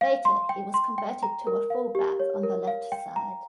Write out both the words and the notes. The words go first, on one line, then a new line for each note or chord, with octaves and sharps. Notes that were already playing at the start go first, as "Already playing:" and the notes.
Later, he was converted to a full back on the left side.
F5
C6
G5
C6
G5
A#5
A#4
F5
G4
C#5
A#4
F5
G5
A#5